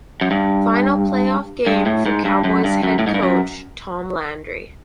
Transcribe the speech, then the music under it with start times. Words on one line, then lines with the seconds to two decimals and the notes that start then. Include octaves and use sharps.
Final playoff game for Cowboys head coach Tom Landry.
0.21 F#2
0.31 G2
1.67 G2
1.86 A2
2.06 G#2
2.25 G2
2.44 F#2
2.64 G2
2.83 F#2
2.99 A2
3.07 G#2
3.14 G2
3.23 F#2